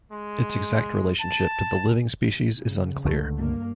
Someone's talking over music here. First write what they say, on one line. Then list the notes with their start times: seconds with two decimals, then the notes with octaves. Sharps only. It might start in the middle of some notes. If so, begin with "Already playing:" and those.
Its exact relationship to the living species is unclear.
0.12 G#3
1.20 A5
2.57 C#3
3.05 C#2 D3 A3
3.37 G2 A#3